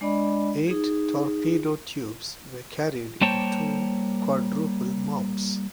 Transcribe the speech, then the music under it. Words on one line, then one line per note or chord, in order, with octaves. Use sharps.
Eight torpedo tubes were carried in two quadruple mounts.
G#3 D4 D5 D#5 B5
D#4 G#4
G3 A#3 C5 C#5 G5 A5